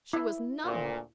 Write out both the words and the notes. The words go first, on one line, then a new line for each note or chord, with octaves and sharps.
She was numb!
E4 E5
D2 A#2